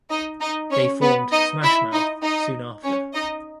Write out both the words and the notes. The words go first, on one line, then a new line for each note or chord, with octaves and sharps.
They formed Smash Mouth soon after.
D#4 D#5
D#4 D#5
C#4 C#5
B3 B4
D#4 D#5
E4 E5
D#4 D#5
D#4 D#5
C#4 C#5
D#4 D#5